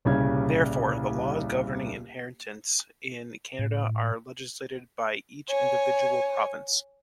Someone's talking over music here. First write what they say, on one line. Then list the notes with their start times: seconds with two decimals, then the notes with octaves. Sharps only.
Therefore, the laws governing inheritance in Canada are legislated by each individual province.
0.05 D#1 C2 C#3 C#4 G#6
3.59 A2
5.49 C#5 G#5